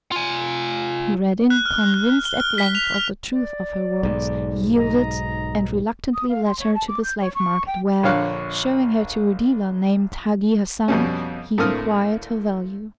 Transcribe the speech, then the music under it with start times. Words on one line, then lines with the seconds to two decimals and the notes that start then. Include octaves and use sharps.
Noureddin, convinced at length of the truth of her words, yielded, and reluctantly led her to the slave market, where, showing her to a dealer named Hagi Hassan, he inquired her value.
0.12 F4 G#5
1.50 F#6
1.66 F6
1.94 F#6
2.09 F#6
2.25 G7
2.40 F6
2.58 B6
2.75 F7
2.94 F6
3.33 D5
4.03 B1 G#2
4.78 D#5 A#5
6.14 D#6
6.29 F5
6.46 C6
6.59 C#5
6.75 A5
6.88 D6
7.03 G6
7.20 C#5
7.35 C#6
7.67 G5
8.03 A#1 D3 C#5 F5 C#6 F#6
10.88 F2 B2 G3 C#4
11.58 A2 D3 A#3 C4 D#6 F6